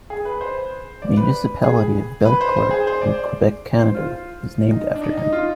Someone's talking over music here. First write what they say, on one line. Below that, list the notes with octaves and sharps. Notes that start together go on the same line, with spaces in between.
The Municipality of Belcourt in Quebec, Canada, was named after him.
G#4
B4
C5
D5
B4
G#4
B4
C5
C5
G#4
C5
D5
D5
C5
F4
D#4
D4
D#4
D#4
F4